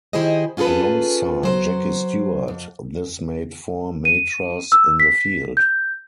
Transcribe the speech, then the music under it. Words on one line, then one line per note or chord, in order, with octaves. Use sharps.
Alongside Jackie Stewart, this made four Matras in the field.
D#3 E4 G4 G#4 C5 D#5
C#4 F4 G#4 A4 B4
F#3 C5
F2
D#7
E6
B6
G6